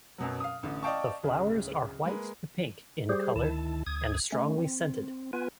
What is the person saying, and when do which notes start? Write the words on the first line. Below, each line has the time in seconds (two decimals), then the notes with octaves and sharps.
The flowers are white to pink in colour, and strongly scented.
0.18 F#2 B2 F#3
0.40 F5 D#6
0.63 A1 D3
0.83 D5 D#5 F5 G5 A5 C#6
1.23 D1 C#3
2.05 G#3 A#3 B4
3.09 G3 G4 G#4 C5
3.36 D2 D#3 E4 A5
3.87 D2 D#6 G#6
4.32 A3 C#4
4.58 C4
5.33 B3 F4 B4 G#5